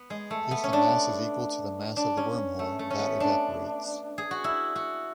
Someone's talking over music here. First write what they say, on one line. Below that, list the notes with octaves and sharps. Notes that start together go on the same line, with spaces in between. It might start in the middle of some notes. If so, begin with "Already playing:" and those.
If the mass is equal to the mass of the wormhole, that evaporates.
Already playing: B3
G#3
A3
B3
C#4
D4
D4
C#4
A3
A3
C#4
B3
D4
G#4
F#4
E4
F#4